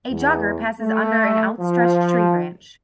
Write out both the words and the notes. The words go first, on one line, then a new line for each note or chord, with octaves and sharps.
A jogger passes under an outstretched tree branch.
E2
A3
F3